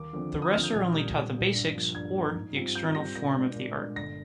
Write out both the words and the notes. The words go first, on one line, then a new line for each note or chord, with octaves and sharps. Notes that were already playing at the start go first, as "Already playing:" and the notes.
The rest are only taught the 'basics' or the external form of the art.
Already playing: D#2 D6
D3 F3 C4
D#2
D#6
D3 F3 C4 F6
G6
A#1 G#6
A#2 G3
A#1
A#2 G3
G2
F3 A#3
G2 G#6
F3 A#3
G#2
G3 C4 F4
G#2 G6
G3 C4 F4 A#6
A#2 A#6
G#3 D4
A#2
G#3 D4
G1 A#6